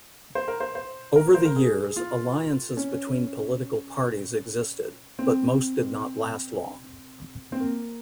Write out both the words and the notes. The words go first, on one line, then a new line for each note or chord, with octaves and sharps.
Over the years, alliances between political parties existed, but most did not last long.
C5
A#4
C5
C5
A#4
C5
A#4
G#4
F4
C#4
C4
C4
A#3